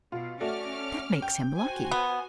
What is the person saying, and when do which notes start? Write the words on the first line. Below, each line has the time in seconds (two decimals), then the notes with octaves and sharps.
"That makes him lucky."
0.12 B2 F4
0.41 A3 C#4 F#4 D5 D6 F6
1.22 G5
1.56 F#4 C5 G#5
1.91 B3